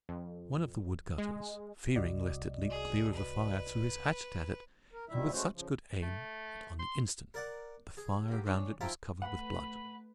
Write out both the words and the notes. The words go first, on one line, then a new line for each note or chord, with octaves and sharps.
One of the woodcutters, fearing lest it leap clear of the fire, threw his hatchet at it, and with such good aim that on the instant the fire around it was covered with blood.
F2
G#3
C2 F#4 D5 D#5
G#4
B4
A#4
D#2 A#2 D#3 G3 E4 E5
G#3 A3 C#4 F#4 C5
C#3 F3
A3
C6
A#4 D5 F#5
G#4
A#3 B3 G4
G#3 D4 C#5
G#2 F3 E4 F4 G5 A#5
A3 B4 F#5 B5